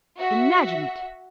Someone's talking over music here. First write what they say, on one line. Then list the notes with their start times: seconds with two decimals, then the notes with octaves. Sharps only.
Imagine it!
0.18 F#4 E5